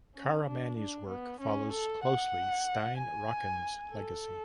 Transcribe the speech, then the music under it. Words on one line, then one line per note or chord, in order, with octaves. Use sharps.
Caramani’s work follows closely Stein Rokkan’s legacy.
C#4
D4
D4
B3
C#4
A4
F#5
G#5
A4